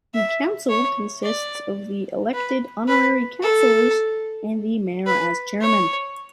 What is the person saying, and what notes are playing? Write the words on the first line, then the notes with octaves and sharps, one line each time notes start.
The council consists of the elected honorary councilors and the mayor as chairman.
E5
C#5
D5
B4
B4
A4
B4
C#5